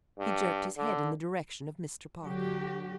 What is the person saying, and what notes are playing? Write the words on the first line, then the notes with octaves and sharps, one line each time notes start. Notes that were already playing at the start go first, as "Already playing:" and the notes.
He jerked his head in the direction of Mr. Parker.
G2
D3
D3 F#3 F#4 G4